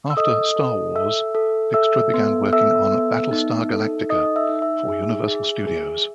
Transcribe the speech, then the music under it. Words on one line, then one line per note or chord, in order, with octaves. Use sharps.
After "Star Wars", Dykstra began working on "Battlestar Galactica" for Universal Studios.
E6
A4 D#5 D#6
A4
A4 E5 E6
A4
A4 E5 E6
B3
A4 E5 E6
B3
D#4
A4
D#4 D#5 D#6
E5 E6
D#4
E5 E6
G#4
G#4
G#4